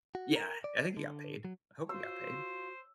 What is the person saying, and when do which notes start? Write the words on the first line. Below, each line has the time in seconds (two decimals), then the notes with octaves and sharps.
Yeah! I think he got paid. I hope he got paid.
0.15 F#4
0.36 A#4
0.64 D5
0.97 D3
1.45 F#3
1.89 F4 F#4 C5 E6